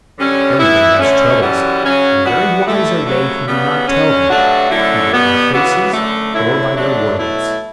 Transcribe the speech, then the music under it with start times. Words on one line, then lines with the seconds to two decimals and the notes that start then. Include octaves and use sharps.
Everybody has troubles; and very wise are they who do not tell them, either in their faces or by their words.
0.18 F#2 D3 G3 C#4
0.59 E3 B3 E4
0.99 D3 A3 C#4
1.41 F#2 E3 G3 C#4 F#4
1.82 C#3 F#3 C#4 F#4
2.24 E3 B3 D4 F#4
2.64 G2 D3 A3 E4
3.05 F#2 C#3 F#3 A3
3.46 C#3 G3 B3
3.87 D3 F#3 C#4
4.28 G2 F#3 A3 D4 F#4
4.70 F#2 D3 F#3 A3 E4
5.11 B2 G3 B3
5.52 C#3 E3 B3 F#4
5.93 F#2 D3 A3
6.34 D3 F#3 A3 E4
6.75 D3 F#3 A3 D4
7.16 B2 F#3 A3 E4